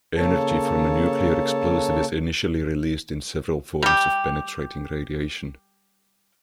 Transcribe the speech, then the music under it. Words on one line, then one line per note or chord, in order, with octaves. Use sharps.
Energy from a nuclear explosive is initially released in several forms of penetrating radiation.
C#3 A#3 A4 C#5 A5
G3 G4